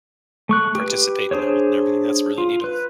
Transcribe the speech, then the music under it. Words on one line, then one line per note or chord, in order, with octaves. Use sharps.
Participate in the wreath and everything, that's really neato.
A3 C#6 F#6
G4 B4
D4 G#4 C5 C#5
F4
B4